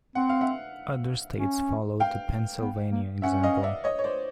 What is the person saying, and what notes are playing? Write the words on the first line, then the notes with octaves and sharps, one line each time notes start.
Other states followed the Pennsylvania example.
C4 F#5
F5
E5 F#5
C#4
F5 G5
B3
A#3
C#4 E5 F#5
D#5 F5
D5 E5
C#5 D#5
C#5
C5 D5